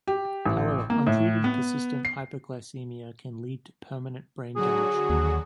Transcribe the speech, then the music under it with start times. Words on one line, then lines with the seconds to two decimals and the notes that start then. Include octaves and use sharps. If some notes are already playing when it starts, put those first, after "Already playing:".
However, untreated persistent hypoglycemia can lead to permanent brain damage.
0.07 G4
0.46 A1
0.90 A#3
1.07 A2
1.44 B3
2.05 C7
4.56 D3 F#3 F#4 G#4
5.10 D#2